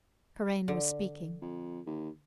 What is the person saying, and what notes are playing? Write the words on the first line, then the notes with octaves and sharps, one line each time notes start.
Karain was speaking.
D3
F2
D#2